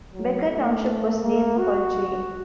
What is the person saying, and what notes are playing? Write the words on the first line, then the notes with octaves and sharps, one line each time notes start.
Becker Township was named for J.
F#3
A3
A#3
F#4